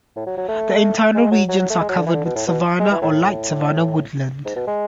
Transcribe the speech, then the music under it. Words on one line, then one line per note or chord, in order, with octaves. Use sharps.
The internal regions are covered with Savannah or light Savannah woodland.
A2
F#3
F#3
A3
G#3
F#3
F#3
F#3
A3
G#3
F#3
D3
E3
D3
B2
A2
B2
G#3
E3
A2
A2
G#2
B2
G#3